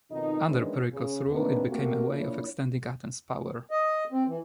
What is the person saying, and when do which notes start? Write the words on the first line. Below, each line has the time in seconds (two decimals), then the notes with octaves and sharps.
Under Pericles' rule, it became a way of extending Athens' power.
0.11 F2 B2 D#3 D#4
0.48 D#3 E3 G#3 C#4 D4
0.93 C#3
1.30 A2 C3 D#3 A#3 D4 B4
1.68 A3 A#3 C4 F#4 G4 A#4
2.08 F3 A#3 D4 E4 C#5
3.71 D#5
4.12 C4
4.28 E3